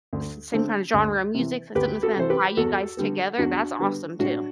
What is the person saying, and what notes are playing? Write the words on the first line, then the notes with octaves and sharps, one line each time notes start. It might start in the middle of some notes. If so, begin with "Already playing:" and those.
s same kinda genre of music, something that's gonna tie you guys together, that's awesome too.
D2
D3 A3 C4
D2
C3 E3
D2 G4 B4
F#4 A4
C3 E3 C5
G4 B4
E2 F#4 A4
D3 G3 B3
E2 D4 F#4
D3 G3 B3
A2 D4 F#4